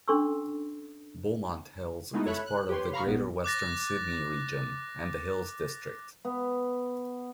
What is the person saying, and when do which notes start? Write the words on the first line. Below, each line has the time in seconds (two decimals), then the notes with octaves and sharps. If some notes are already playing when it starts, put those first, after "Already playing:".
Beaumont Hills is part of the Greater Western Sydney region and the Hills District.
0.08 C#4 D4 A4 C6 C#6 E6
2.13 G#3 A3 B3 D#4 E4 F#4
2.26 A4 C#5 E5 B5 F#6
2.46 F#6
2.69 G4 B4 C#5 C6
2.93 F5 A#5 B5 C#6 F6
3.06 A#1 A#2 B3
3.44 D6 F#6 A6 A#6
6.25 B3